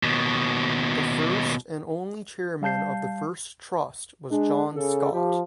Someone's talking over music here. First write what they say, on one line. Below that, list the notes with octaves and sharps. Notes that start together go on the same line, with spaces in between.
The first and only Chairman of the first Trust was John Scott.
D#2 B2
G3 F5 A5 G6 C7
G#3 D4
C#3 A4
F3 G4